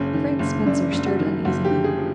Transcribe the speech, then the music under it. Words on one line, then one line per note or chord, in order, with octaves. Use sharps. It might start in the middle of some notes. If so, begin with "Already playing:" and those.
Frank Spencer stirred uneasily.
Already playing: F#1 C#4
D#3
F#1
F#2 D4
F#1
F#4
D#3
F#1 F#4
G4
D3
G#4
F3